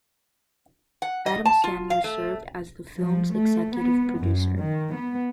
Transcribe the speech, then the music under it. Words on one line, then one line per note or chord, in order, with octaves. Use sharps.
Adam Sandler served as the film's executive producer.
F#5
D#5
A5
F4
F5
A3
F3
A3
B3
F#2
D#3
B3